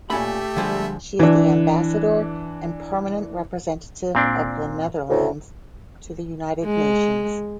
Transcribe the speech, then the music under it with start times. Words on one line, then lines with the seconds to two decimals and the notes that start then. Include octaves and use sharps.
She is the Ambassador and Permanent Representative of The Netherlands to the United Nations.
0.10 A#2 A3 C#4 G4 E5 A5 B5
0.56 D3 F3 G3 G#3
1.19 E3 D4
4.15 A#2 C4 D4
5.09 D2 A2
6.65 G#3